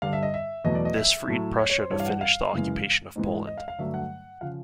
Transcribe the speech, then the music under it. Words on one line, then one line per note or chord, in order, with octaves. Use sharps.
This freed Prussia to finish the occupation of Poland.
G2 D3 G3 F5
E5
D#5
E5
E2 B2 F#3 A3 D#5
D5
D#5
E5
A2 F#3 A3
C#5
C#5
C5
G2 E3 G3 C#5
F5
F#5
F5
F#2 C#3 E3 G#3
G#2 E3 G#3
D#5
F5
F5
G2 D3 F#3 A3 E5
F#5
C#3 F3 F5